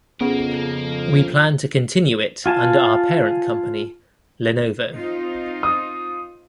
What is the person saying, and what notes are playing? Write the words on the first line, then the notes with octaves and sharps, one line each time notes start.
We plan to continue it under our parent company, Lenovo.
F2 C#3 A#3 B3 A#4
F4 G#5 A5
C4 D#4 F4
D#6